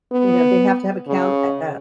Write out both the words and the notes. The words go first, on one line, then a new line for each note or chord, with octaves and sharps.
You know, they have to have a count, ah, uh,
B3
C#3